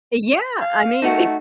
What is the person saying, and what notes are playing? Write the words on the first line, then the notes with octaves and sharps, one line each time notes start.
Eh yeah. I mean,
F5
A3 D#4 F#4